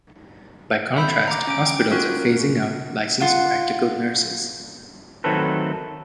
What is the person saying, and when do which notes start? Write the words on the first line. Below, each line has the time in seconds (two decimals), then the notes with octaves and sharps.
By contrast hospitals are phasing out licensed practical nurses.
0.96 E5 B5 E6 G6
1.28 A#5 D6
1.47 C#4 D6 D7
1.66 G5
1.91 C#4 F4 F#4 A#4 F#6
3.21 F4 F#5
5.24 D#3 F#3 A3 C4 A4 B4